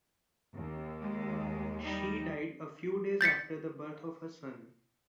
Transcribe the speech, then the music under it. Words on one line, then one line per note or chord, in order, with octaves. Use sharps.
She died a few days after the birth of her son.
D#2
G#3
G3 D#4
G6 A6 B6 C#7